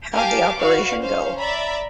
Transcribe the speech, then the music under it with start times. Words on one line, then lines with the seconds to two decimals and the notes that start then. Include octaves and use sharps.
How'd the operation go?
0.12 G4 A#4 F5 G#5 A5 D6
0.57 F#4 B4 D5 F5
0.99 C#4 C5 F5
1.37 D5 E5 A#5 B5